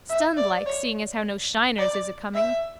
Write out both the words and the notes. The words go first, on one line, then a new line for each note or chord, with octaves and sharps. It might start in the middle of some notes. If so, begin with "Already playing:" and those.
Stunned like, seeing as how no shiners is acoming.
E5
D5
C#5
D5
E5